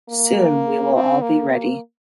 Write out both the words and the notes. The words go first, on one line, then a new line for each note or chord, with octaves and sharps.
Soon we will all be ready.
A#3
C4
A#3
A#3